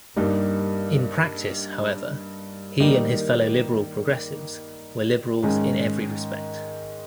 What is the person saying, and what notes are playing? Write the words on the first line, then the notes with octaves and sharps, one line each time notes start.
In practice, however, he and his fellow Liberal-Progressives were Liberals in every respect.
G2 G3 A#3 D#4
D#3 G3 A#3 D#4
G#2 D#3 G#3 C#4